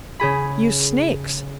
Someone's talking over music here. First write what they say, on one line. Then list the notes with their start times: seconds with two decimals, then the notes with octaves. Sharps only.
You snakes!
0.20 C#3 G#4 B5